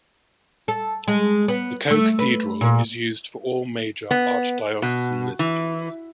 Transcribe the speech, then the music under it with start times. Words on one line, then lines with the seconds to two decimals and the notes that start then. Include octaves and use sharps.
The co-cathedral is used for all major archdiocesan liturgies.
0.68 A4
1.08 G#3
1.48 B3
1.90 A3
2.19 B4
2.61 A#2
4.11 B3
4.82 B2
5.39 E3